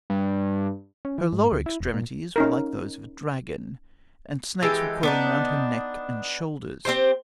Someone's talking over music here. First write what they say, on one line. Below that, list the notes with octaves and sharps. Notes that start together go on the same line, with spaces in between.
Her lower extremities were like those of a dragon, and snakes were coiling round her neck and shoulders.
G2
C#4
E3
G#2
D2
E4
E1
A#2
C#4 D#4 A#4
E3 G#3 G4 A4
B3 D4 D#4
C4 D#4 G4 C5